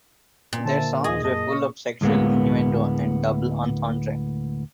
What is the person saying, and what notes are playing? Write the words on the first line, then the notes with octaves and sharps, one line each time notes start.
Their songs were full of sexual innuendo and double entendre.
A#2
D3 C5 E5 A5
D#2 A#3 D#4 G#4 D#5
F#2 D#5 A5
C#5 C#6
D2 A2 G#3 A#3 B3